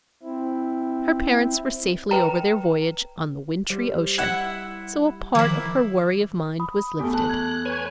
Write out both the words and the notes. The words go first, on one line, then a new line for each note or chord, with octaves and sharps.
Her parents were safely over their voyage on the wintry ocean, so a part of her worry of mind was lifted.
C4 E4
B4 G5 A#5
G3 C5
E4 E5 F#5
D#3 F3 A#3 E4 C5
B5 D#6
E2 A3 G4
A5 F#6
G#6
B4 C#5 G#5